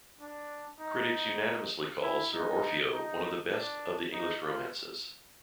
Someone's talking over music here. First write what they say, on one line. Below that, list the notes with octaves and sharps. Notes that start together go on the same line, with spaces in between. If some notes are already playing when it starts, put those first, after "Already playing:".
Critics unanimously call "Sir Orfeo" one of the best of the English romances.
D4
D#4
E4
D#4
D#4
D4
D#4
F4